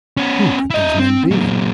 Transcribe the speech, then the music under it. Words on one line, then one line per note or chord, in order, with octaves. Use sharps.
Who could these men be?
B3 C#4
E4 D#5
C4
A#2 F#3